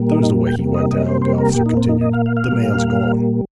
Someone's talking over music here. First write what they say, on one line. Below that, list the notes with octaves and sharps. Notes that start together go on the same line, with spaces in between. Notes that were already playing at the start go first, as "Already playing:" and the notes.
'There's the way he went down,' the officer continued. 'The man's gone.'
Already playing: A#2 G3 A#3
D#4
D#4
G5
C3 G3 A#3
D#5
D#5
C5
C5
A#4
A#2 A#3 G4
D#4
C4
D#4
D#5
F5
F5
F5
A#2 G3 A#3